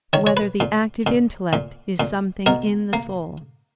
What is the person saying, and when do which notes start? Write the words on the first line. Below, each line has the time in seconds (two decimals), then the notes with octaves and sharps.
Whether the Active Intellect Is Something in the Soul?
0.13 D#3 C#5
0.27 C#5
0.37 B4
0.60 A#2
1.07 A#2
1.53 A#2
2.00 A#2
2.46 B2 A#4
2.93 A#3